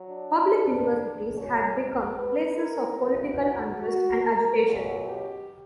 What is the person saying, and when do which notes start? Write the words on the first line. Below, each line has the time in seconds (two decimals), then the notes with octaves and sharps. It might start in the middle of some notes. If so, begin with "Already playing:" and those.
Public universities had become places of political unrest and agitation.
Already playing: F#3
0.08 D4
1.33 E2 B2 F#3 C#4
1.75 A#4
2.17 B4
2.57 A#4
2.99 G2 E3 F#4
3.82 F#4
4.23 A#4
4.66 C#2 B2 F#3
5.07 G4